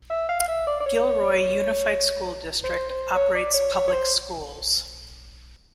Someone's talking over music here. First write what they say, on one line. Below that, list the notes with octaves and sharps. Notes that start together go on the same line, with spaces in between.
Gilroy Unified School District operates public schools.
E5
F5
F5
E5
D5
D5
C#5
C5
C5
C#5
D5
C#5
C#5
C#5
C5